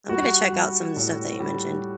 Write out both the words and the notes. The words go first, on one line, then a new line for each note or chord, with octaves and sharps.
I'm gonna check out some of the stuff that you mentioned,
G3 F#4
G3
A2
G3